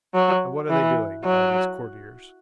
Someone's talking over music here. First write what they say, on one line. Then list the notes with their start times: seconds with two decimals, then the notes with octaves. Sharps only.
And what are they doing, all these courtiers?
0.15 F#3
0.70 E3
1.24 F#3